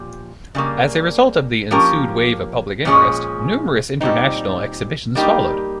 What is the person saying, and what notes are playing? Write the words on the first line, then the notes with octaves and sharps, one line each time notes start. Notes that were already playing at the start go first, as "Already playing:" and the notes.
As a result of the ensued wave of public interest, numerous international exhibitions followed.
Already playing: A#2 F3 G4
C#3 G3 A#3
F3 A#3 C#4 G4 A#4
A#2 F3 G#3 C#4 G#4
A#2 G3 C4 D#4
G3 A#3 D#4 G4